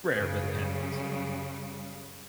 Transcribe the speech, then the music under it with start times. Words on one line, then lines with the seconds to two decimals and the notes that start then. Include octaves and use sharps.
Rare, but it happens.
0.12 F#2 C#3 G3